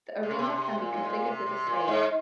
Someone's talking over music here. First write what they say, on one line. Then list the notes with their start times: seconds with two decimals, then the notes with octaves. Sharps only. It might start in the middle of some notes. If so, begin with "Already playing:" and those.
The arena can be configured with a stage.
0.23 C3
0.31 C#3
0.39 C3
0.50 C3
0.78 A#2
0.94 G#2
1.05 A#2
1.26 C3
1.46 C3
1.67 A#2
1.88 G#2